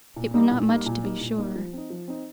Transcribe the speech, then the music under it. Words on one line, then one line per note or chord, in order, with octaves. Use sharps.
It were not much to be sure.
A#2
G3 A#3 D#4
A#2
G3 A#3 D#4
A#2
G3 A#3 D#4
A#2
G3 A#3 D#4
F3
C4 D#4
F3
C4 D#4